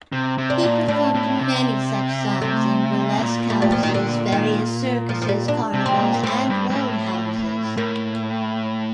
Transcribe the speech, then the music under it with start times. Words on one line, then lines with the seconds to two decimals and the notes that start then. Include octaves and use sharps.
He performed many such songs in burlesque houses, various circuses, carnivals, and roadhouses.
0.12 C3
0.38 C3
0.50 D4
0.63 A#2
0.88 A2 D4
1.14 A2
1.39 C3
2.42 C3 A3
3.18 A#2
3.50 A3
3.62 G3
3.72 F3
3.83 D#3
3.94 D3
4.32 D#3
5.09 F3
5.22 F3
5.29 G3
5.48 D4
5.73 C3
5.86 A2 C4
5.99 A#2
6.14 A#3
6.24 A2 C4
6.50 G2
6.70 G2
6.75 A2
7.77 A2 A#3